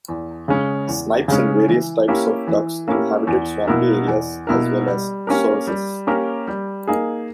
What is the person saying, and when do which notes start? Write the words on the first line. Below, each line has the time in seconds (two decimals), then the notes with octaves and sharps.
Snipes and various types of ducks inhabited swampy areas, as well as soruses.
0.08 E2
0.48 C#3 G#3 C#4
0.88 E2
1.28 C#3 G#3 C#4
1.68 E3
2.08 A#3 C#4 E4 G4
2.47 E3
2.88 A#3 C#4 E4 G4
3.27 E2
3.67 B2 A#3 E4 A#4
4.07 E2
4.47 B2 A#3 E4 A#4
4.87 G3
5.27 A#3 C#4 G4 A#4
5.67 G3
6.07 A#3 C#4 G4 A#4
6.47 G3
6.87 A#3 D#4 G#4